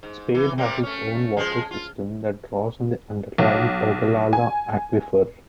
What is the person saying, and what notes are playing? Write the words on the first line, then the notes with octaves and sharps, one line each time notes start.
Spade has its own water system that draws on the underlying Ogallala Aquifer.
G#2
E3
C3 G3 A#3
A3 C#4
F3 G#3 G#4
F4
B1
G#5